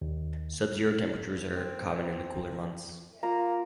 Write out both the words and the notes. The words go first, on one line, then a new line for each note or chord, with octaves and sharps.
Sub-zero temperatures are common in the cooler months.
D#2
C4
A#3 F4 A#5